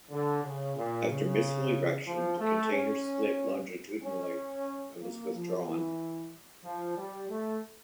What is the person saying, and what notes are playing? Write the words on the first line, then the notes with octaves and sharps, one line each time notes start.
After missile erection, the container split longitudinally and was withdrawn.
D3
C#3
A#2
C#3
F3
A3
C#4
C#4
A#3
F3
E3
F3
G3
A3